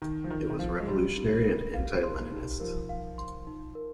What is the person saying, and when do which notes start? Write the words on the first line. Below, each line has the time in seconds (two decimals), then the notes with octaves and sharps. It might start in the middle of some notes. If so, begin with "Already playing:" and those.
It was revolutionary and anti-Leninist.
0.02 D#3 D#4
0.24 F3
0.30 D#3 A#4
0.50 D#3
0.59 F3 F5
0.80 G#3
0.88 G3 C6
1.16 D#4
1.45 A#4
1.74 F5
2.03 C6
2.32 D#4
2.60 F3 A#4
2.89 F5
3.18 C6
3.47 D#4
3.75 A#4